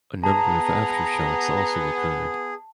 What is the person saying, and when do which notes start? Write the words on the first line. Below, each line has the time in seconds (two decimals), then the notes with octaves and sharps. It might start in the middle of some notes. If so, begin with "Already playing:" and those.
A number of aftershocks also occurred.
0.24 B3 G#4 A5 A#5